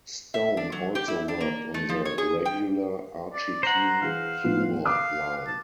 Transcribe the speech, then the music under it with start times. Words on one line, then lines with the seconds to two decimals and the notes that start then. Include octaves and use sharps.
Stone also worked on the regular Archie teen-humor line.
0.34 E5
0.57 D4
0.72 F#3
0.95 G4
1.08 E4
1.28 D4
1.41 A#3
1.74 A3
1.89 F3
2.05 C#5
2.18 G#4
2.45 G5
3.33 D5
3.63 C5 F#5 A#5
4.01 E3 G#4 F5
4.44 A2 F3 B3
4.85 F5 D6 D#6 F#6
5.47 A5